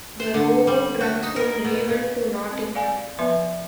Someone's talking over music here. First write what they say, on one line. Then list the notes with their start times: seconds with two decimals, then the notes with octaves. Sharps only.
The road runs from Raymond to Nottingham.
0.20 C5
0.34 D3
0.67 G3
1.01 F#4
1.23 D#4
1.36 A#4
1.65 B2
1.88 A#2
2.51 C4
2.75 D5 F5 G#5
3.19 F3 B3 B4 E5 C6